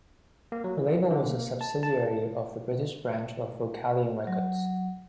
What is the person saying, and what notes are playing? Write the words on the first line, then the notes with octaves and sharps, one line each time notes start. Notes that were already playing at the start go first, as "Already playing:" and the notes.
The label was a subsidiary of the British branch of Vocalion Records.
A#3
F#3
E3
D3
A#3
A5
A5
F#3